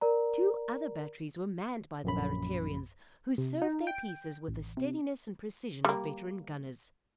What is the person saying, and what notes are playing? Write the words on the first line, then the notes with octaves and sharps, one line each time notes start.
Two other batteries were manned by the Barratarians, who served their pieces with the steadiness and precision of veteran gunners.
A#4 D5 A#5
A#1 F#2 B5
C3
D#4
G5
A1
C3
G3 A#3